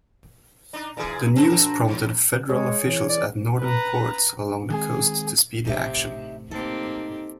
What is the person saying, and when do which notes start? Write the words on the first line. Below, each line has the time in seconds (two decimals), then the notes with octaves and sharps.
The news prompted Federal officials at northern ports along the coast to speedy action.
0.73 D4 D#4
0.97 A#2 E3 G#4
1.36 F3 F#3 C4 D4 A5
1.47 C4 F#4 A#4
1.88 E2
2.49 G#3 G#4 C#5
2.87 E3 C#5
3.09 D5
3.60 B4 A#5
4.70 D#3 G#3 C4 G#4
5.65 A1 A2 C3 D#4 G4 E5
6.51 A#3 C4 D#4 G4 A4